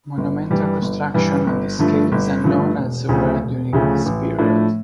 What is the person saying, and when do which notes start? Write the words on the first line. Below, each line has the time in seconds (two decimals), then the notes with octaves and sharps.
Monumental construction on this scale is unknown elsewhere during this period.
0.18 G1
0.50 G2 E3 G3
0.82 G1
1.14 G2 E3 G3
1.47 G1
1.79 G2 D3 F3 A3
2.12 G1
2.44 G2 D3 F3 A3
2.76 E1
3.09 D2 C#3 F3 A3
3.41 E1
3.73 D2 C#3 F3 A3
4.06 A1
4.38 A2 F3 A3 D4